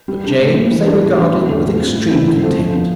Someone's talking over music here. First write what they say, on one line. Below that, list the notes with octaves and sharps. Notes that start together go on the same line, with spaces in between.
But James they regarded with extreme contempt.
G3
D4 G4
A2
B3
G3
E3
A3 D4 A4 D5
A2
G3 D4 G4
E2
D3 A3 D4 G4
A2
G3 C4 F4
A2
E3 G3 C4 E4
D3
F3 A3 C4
F3
B3 D4